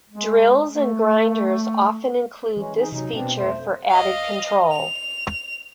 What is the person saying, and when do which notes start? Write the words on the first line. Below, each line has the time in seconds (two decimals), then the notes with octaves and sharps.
Drills and grinders often include this feature for added control.
0.10 G#3
0.70 A3
2.57 E3 G#3 C#4
2.78 D#4 G#4
2.92 C3 F#3 D#4
3.13 B2 B3 C4 D4
3.38 F2 A3 C5
3.89 D#5 F5
4.71 F7